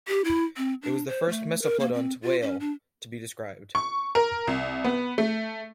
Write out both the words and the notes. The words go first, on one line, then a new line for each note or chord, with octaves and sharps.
It was the first mesoplodont whale to be described.
G4
E4
C4
D4
C5
A3
A#4
A#3
C4
F4
C#4
D4
C#6
A#4
C2
B3
A3